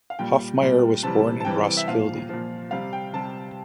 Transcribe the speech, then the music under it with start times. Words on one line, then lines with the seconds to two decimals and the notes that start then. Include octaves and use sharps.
Hoffmeyer was born in Roskilde.
0.10 F5
0.19 A#2 G3 G5
0.62 A#2 G3
1.03 C3 E3 G3 A5
1.40 A5
1.45 C3 E3 G3 G5
1.77 E5
1.88 A#2 F3 F5
2.29 A#2 F3
2.71 C3 G3 F5
2.93 G5
3.13 C3 G3 A5